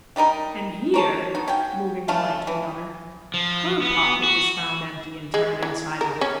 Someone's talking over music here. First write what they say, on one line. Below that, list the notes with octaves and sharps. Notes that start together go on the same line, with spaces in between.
And here,' moving the light to another, 'HER pocket was found empty, and turned inside out.
D#3 G3 D#4 A#4
A#4 C#5 A5
B3 D#4
C#4 F#4 G5
A3 C#4 F4 A5
E3
F3
B3
F#4
G#3
E3
A#4
C#4